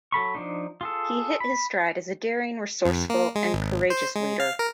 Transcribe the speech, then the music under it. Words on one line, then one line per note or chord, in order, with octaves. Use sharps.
He hit his stride as a daring, resourceful and courageous leader.
F#3 A4 B5 C#6
F3 D4 D#4
F4 G#4 A4
B5
F2
A#3
G#3
G#1
C5
G#3
F5
A#4